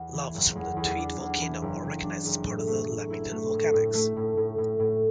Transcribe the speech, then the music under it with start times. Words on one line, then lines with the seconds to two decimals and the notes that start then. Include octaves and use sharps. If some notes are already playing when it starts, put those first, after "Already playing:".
Lavas from the Tweed Volcano are recognised as part of the Lamington Volcanics.
Already playing: E2
0.14 E3
0.34 F#1
0.56 E2
0.77 E2
0.98 D4
1.20 E2
1.41 E3
1.62 F#1
1.83 F#1
2.04 D4
2.25 F#1
2.46 A2
2.67 A3
2.89 A3
3.10 E4
3.32 A3
3.53 A2
3.74 A2
3.95 A3
4.16 A2
4.37 A2
4.58 A2
4.80 A2